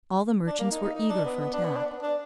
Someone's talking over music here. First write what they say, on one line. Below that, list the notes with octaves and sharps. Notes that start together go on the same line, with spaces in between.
All the merchants were eager for attack.
D4
A#3
D#4
D#4
D#4
D4
B3
B3
D4
B3
D4
D4